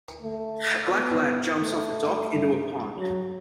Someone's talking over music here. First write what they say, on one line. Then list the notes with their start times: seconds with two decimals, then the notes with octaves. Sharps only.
A black lab jumps off a dock into a pond.
0.22 A3
0.91 B3
1.59 A3
2.97 F#3